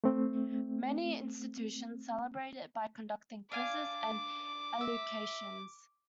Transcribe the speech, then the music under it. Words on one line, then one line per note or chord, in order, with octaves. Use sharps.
Many institutions celebrate it by conducting quizzes and elocutions.
A3 C4
D4 F5 G#5 D6
E5